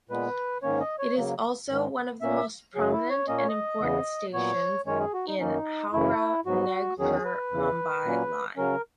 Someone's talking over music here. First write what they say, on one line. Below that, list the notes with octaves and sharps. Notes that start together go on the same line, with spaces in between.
It is also one of the most prominent and important station in Howrah–Nagpur–Mumbai line.
A#2 G#3 B3 B4
G#2 D#3 A#3 C#4 C#5
D#5
C#5
C#3 F#3 A#3
G#2 D#3 G#3
A#2 A#3 C#4 E5
F#2 C#3 F#3 G#4
E4
C#5
A#2 A#3 C#4 D#5
C#5
D#5
E2 C#3 E3 B3
A#2 F#3 B3 C#5
F#2 D#3 G#3 C#4 C#5
G#4
F#4
D#4
F#2 D#3 A#3 C#4 D#4
F#2 C#3 E3 E4
G#2 F#3 B3 F#4
E2 D#3 F#3 C#4 G#4
B4
E2 C#3 E3
A#2 F#3 A#3 C#4
C#3 F#3 C#4 A#4